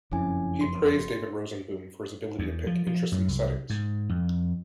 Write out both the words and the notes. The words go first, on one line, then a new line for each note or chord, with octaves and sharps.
He praised David Rosenboom for his ability to pick interesting settings.
F#1 F2 C#4 E4 G#5
C6
E2
F3
F3
F#2
C2
G#2
F2